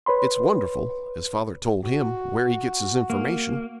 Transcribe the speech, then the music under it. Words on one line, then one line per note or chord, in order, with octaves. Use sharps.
It's wonderful, as father told him, where he gets information.'
B4 C#5 B5 C6
F#4
A#3